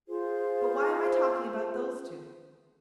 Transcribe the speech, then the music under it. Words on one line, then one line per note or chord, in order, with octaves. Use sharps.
But why am I talking about those two?
F4 G#4 C5